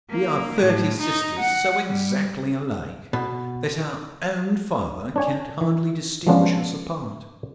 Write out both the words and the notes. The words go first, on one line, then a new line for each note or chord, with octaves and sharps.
We are thirty sisters so exactly alike that our own father can hardly distinguish us apart.'
A#3
A2
D#4
F#5
G3
B2
D4 C#5 G#5
E3
F3 G#3 B3 C#4 D4 F4